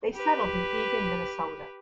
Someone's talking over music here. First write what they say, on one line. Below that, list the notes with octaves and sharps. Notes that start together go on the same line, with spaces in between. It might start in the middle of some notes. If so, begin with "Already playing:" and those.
They settled in Eagan, Minnesota.
G4 B4